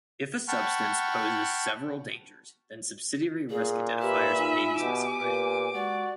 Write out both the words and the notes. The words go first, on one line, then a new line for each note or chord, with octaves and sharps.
If a substance poses several dangers, then subsidiary risk identifiers may be specified.
F#5 G5 A5 B5 C#6 F6
A#2 G#4
G4 B4 E5 B5
D#4 F4 G#5
B2 B3 G4 D6
A#2 G4 B4
G#3 F#4 D5